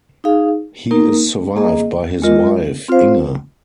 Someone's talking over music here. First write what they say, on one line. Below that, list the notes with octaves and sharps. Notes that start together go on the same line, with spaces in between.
He is survived by his wife, Inge.
D#4 G#4 F5
A#3 D#4 A#4
A#3 G#4 D#5
G#3 F4 A#4 D#5
C4 F4 C5 F5